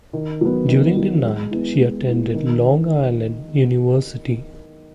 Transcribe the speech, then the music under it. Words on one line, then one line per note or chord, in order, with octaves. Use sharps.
During the night she attended Long Island University.
D#3
F#3 B3
D#3
F#3 B3
G#3
B3 E4
G#3
B3 E4
D#3